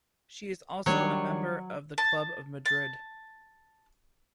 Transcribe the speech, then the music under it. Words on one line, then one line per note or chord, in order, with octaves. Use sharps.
She is also a member of the Club of Madrid.
D#3 F#3 G3 D4 C#5
A5
A5